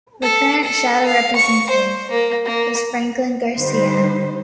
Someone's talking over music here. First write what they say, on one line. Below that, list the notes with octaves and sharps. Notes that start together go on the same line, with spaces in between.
The current shadow representative is Franklin Garcia.
A4
A4
F5
C#6
C5
A#3
A#3
D3 G3 D#4 B4 C5